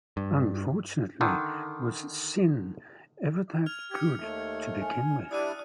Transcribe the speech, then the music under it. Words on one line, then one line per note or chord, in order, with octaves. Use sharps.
Unfortunately, was "Sin" ever that good to begin with?
G2
D3 D#3
F6 G#6 F7
G4 G#6 C#7
D#2 A3
G#5
G3 D4 E4 D5 D#6 F#6 D#7